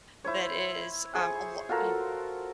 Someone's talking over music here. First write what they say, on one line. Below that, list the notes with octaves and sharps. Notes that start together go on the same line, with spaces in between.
that is, um, a lo y kn
E4 C5 C#5
G#4 C5 C#6
F4 F#4 A4 A#4